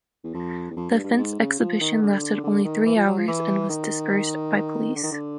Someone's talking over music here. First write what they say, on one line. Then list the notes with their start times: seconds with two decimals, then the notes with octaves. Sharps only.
The fence exhibition lasted only three hours and was dispersed by police.
0.24 E2
0.34 F2
0.70 E2
0.76 F2
0.90 G2
1.04 G2
1.18 G#2
1.40 C#3
1.59 F3
1.80 D#3
2.02 D3
2.44 D3
2.65 D#3
2.86 E3
2.96 F3
3.07 F#3
3.17 F3
3.28 E3
3.69 D#3
4.95 D3
5.03 D#3
5.12 D3